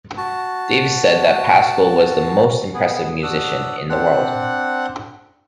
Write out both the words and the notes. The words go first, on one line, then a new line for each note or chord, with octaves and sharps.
Davis said that Pascoal was "the most impressive musician in the world".
F#4 A5
B3 G#4
D4 F#4 D#6 E6 F#6
C4 D4 F#5 F#6